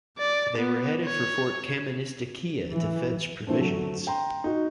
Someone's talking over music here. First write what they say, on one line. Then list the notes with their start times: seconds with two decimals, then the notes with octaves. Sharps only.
They were headed for Fort Kaministiquia to fetch provisions.
0.18 D5
0.58 B3
1.05 C#5
2.70 E3
3.47 E3 A3 C4 D4
3.59 D3 F#3 A3
4.07 G5 A#5 C6
4.44 D#4 F#4